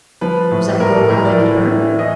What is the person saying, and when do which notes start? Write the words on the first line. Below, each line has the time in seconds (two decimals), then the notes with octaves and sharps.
Was that girl laughing at her?
0.21 F3 B4
0.51 A2
0.80 A2 A#4
0.95 A4
1.10 A2 A#4
1.25 D5
1.40 E3
1.70 E3
1.98 E3 D#5